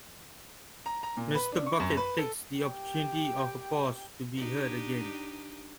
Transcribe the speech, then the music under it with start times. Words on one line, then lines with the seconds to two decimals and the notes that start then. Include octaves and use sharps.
Mr. Bucket takes the opportunity of a pause to be heard again.
0.86 A#5
1.03 A#5
1.17 A#2
1.35 B4
1.52 D4
1.66 C#6
1.80 F#2
1.97 B4
2.18 A4
2.60 G4 G5
4.37 D4 D#4 G4